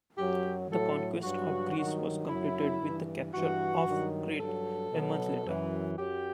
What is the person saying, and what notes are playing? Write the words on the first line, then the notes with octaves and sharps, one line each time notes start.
The conquest of Greece was completed with the capture of Crete a month later.
F#2 F#3 G4
A2 F#3 A4
G2 F#3 F#4
G2 D#3 F#3
F#2 F#3 E4
G2 E3
G2 E3 F#4
G2 D#3 F#3
G2 F#3 A4
B2 F#3
F#2 E3
F#2 F#3 G4